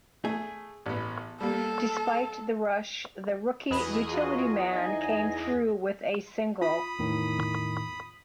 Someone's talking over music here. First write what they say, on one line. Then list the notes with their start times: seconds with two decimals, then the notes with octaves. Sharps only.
Despite the rush, the rookie utility man came through with a single.
0.25 A3 G#4
0.86 A1 B3
1.41 G3 A#3 A4
3.71 E2 B2 G#4 B4 D#5 B5
4.12 F4 F#4
4.72 D#4 G#5
6.62 F4 B5 D#6
6.99 E2 A2 D#3